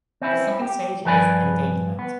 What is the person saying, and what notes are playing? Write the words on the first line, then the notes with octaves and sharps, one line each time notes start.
The second stage is "endangerment".
C4 C#4 E4
G4
G2 F3 B4 D5 G#5 B5
B3